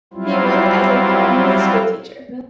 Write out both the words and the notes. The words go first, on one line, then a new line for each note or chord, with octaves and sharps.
He worked as a primary school teacher.
F#3 G3 C4 E4 F4